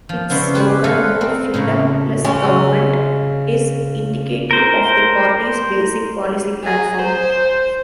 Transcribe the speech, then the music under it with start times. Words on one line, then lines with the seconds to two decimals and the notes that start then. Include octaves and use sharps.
Its slogan, "More Freedom, Less Government", is indicative of the party's basic policy platform.
0.09 F3
0.30 C#3 B3 E4 C5 D5 C6
0.54 G4 B4 C5 D5 G#5
0.84 A4 B4 C5 F5 F#5 G#5
1.21 C4
1.54 A2 C#3 A#3
2.24 C#3 G#3 C#4
4.51 A#4 C5
6.64 G#4
7.02 C5